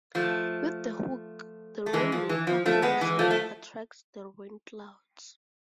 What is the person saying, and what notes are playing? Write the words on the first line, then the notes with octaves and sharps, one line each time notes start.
With the hook, the rainmaker hooks and attracts the rainclouds.
F3 A3
A3
E3 G#3
F3
E3
F3
F3 A3
G#3 B3
E3 G#3
F3 A3
A3